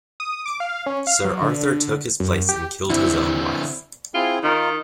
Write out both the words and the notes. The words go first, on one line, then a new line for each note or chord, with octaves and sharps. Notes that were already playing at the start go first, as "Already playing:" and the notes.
Sir Arthur took his place and killed his own wife.
D#6
D6
F5
C#4
F5
F#3
D3
F#2
G4
D3 C4 E4
C4 E4 F4 G#4
D#3 D#4 F4